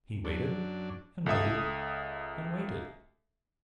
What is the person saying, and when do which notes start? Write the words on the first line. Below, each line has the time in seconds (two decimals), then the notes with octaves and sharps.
He waited and waited and waited.
0.25 F#2 D4
1.26 C#2 A4 E5 D#6